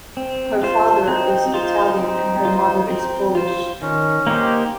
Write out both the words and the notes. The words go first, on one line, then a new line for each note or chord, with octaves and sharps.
Her father is Italian and her mother is Polish.
C4
F4 C5
C4 D#4
F4 C5
C4
F4 C5
C4
F4 C5
D#3 C#4
A#3 D#4 G4 C5